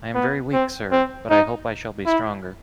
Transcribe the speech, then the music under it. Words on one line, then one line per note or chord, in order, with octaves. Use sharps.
I am very weak, sir, but I hope I shall be stronger.
B3
C4
C4
D#4
E4